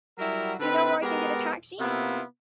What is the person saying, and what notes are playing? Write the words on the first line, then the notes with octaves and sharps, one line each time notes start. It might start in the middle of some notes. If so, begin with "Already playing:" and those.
Do you know where I can get a taxi?
F#3 G3 E4 F#4 A#4
D3 C4 B4
G#3 B3 G4 A#4
C3 A#3 B3 E4 F4